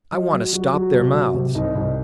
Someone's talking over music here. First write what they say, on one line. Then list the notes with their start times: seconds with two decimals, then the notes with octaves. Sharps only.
"I want to stop their mouths."
0.12 F#3 D#5
0.33 F#3
0.53 F#3 F#4
0.74 F#3 F#4
0.94 C3
1.14 F#3
1.34 C3
1.55 C2 D#4
1.75 C2 D#4